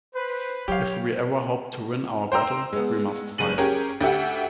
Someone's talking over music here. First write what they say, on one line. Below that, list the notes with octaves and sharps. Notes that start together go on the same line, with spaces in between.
If we ever hope to win our battle, we must fight.
B4 C5
F#3 G4 C#5 F5
C5 G5 A#5 E6
G#3 B3
F#1 G#3 D#7 F#7
C#4 G4 G#4 A#4 C#5
D2 G4 E5 F#5